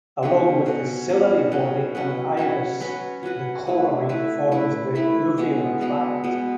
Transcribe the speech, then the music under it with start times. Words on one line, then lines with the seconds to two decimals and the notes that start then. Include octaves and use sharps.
Along with the ciliary body and iris, the choroid forms the uveal tract.
0.23 B2 F#3 C#4
0.66 B2 F#3 C#4
1.09 B2 F#3 C#4
1.52 B2 F#3 C#4
1.95 F#3 C#4 F#4 B4
2.37 F#3 C#4 F#4 B4
2.80 F#3 C#4 F#4 B4
3.23 F#3 C#4 F#4 B4
3.67 A3 E4 B4
4.09 A3 E4 B4
4.52 A3 E4 B4
4.95 A3 E4 B4
5.38 B2 G#3 B3
5.81 B2 G#3 B3
6.24 B2 G#3 B3